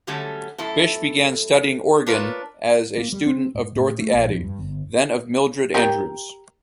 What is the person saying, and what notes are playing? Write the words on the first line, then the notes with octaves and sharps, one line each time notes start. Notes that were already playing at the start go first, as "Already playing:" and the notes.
Bish began studying organ as a student of Dorothy Addy, then of Mildred Andrews.
D3 F#3 G3 A3 C#4 A4
F#2 A2 E4 A4
D4 F4 A#4 B4 C#5
A#3
G3
C4
G#2
A2
A3
A#1
F2
G2
G1
G4 A#4 G5